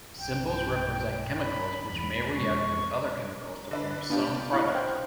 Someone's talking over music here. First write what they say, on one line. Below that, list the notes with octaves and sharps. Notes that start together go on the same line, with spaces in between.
Symbols represent chemicals which may react with other chemicals to form some product.
B1 G2 G5
B5
E2
F2 G#3 C#6
D3 D4 B4
B3 D4 F4 G4
E4 F5 F#5 F6
C5 G5